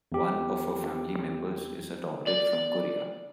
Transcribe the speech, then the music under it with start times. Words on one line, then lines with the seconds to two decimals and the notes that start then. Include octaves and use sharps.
One of her family members is adopted from Korea.
0.12 E2 G4
2.27 D5